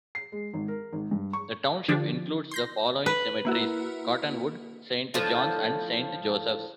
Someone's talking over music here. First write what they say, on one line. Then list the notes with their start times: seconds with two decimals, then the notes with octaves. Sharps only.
The township includes the following cemeteries: Cottonwood, Saint Johns and Saint Josephs.
0.15 C7
0.32 G#3
0.53 G#1
0.68 A#4
0.93 G#1
1.11 G2
1.33 C#6
1.88 D3 F3 D4 G4
2.51 C6 G6 A#6
3.06 B4
3.45 A#3 E4 F#4
5.14 A2 D3 F3